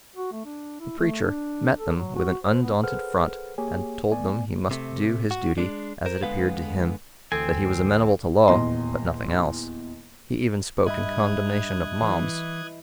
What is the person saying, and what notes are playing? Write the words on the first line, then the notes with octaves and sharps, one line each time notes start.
The preacher met them with an undaunted front and told them he must do his duty as it appeared to him; that he was amenable to law, but nothing else; he even spoke in condemnation of mobs.
F#4
A3
D4
E4
A3
D4
A4
F#3
F#4
C5
B3
G#4 A4 B4 C5 F#5 F6
A#3 G4 G#4 C#5 G#5
A3 B3 D5 G#5
C3 A3
F#4
G#3 D4
A#4 C5
D3 G#3 B3 B4 F5
D2 E3 C4 A4 G#5
D#1 E2 D#5 C6
G2 D#5 E5 B5 D#6 F#6 G#6
E3